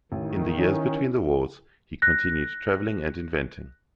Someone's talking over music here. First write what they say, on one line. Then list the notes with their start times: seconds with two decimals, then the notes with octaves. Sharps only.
In the years between the wars, he continued travelling and inventing.
0.12 A1 D#3
0.58 C#4 E4
2.02 F#6 A#6